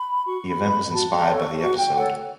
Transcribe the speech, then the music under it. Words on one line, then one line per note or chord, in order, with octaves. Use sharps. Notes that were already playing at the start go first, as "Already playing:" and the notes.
The event was inspired by the episode.
Already playing: B5
F#4 C#6
B5
B4
B5
F#4 A5
A5
A4 C#5
C#6
F#4 C#6
G5
A4 C#5 F#5